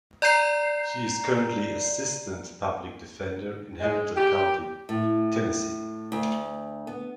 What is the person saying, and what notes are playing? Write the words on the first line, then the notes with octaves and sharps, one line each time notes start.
She is currently Assistant Public Defender in Hamilton County, Tennessee.
D5 A#5 G6 C7
G#3
G4
A2
D2
B3